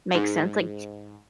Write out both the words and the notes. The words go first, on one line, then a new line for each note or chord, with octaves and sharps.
Makes sense, like,
G#2